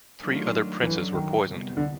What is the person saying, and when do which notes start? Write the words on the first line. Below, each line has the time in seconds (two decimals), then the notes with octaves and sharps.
Three other princes were poisoned.
0.21 D#3 F#3 A3 D4 F4
0.83 F#2 D3 E3 F#3
1.14 D#3
1.46 E2 C3 D#3 G3 B3
1.77 D3